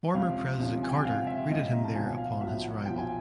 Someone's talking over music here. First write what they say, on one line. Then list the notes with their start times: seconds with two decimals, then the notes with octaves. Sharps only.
Former President Carter greeted him there upon his arrival.
0.14 C#2 C3 F3 F5
0.60 C#2 C3 F3
0.83 G#5
0.90 G5
0.98 F#5
1.05 C#2 C3 F3 F5
1.27 E5
1.50 C#2 C3 F3 D#5
1.61 E5
1.73 A#5
1.84 A5
1.95 B1 A#2 F3 G#5
2.07 F#5
2.18 F5
2.41 B1 A#2 F3 E5
2.64 F#5
2.86 B1 A#2 F3 G5
2.98 G#5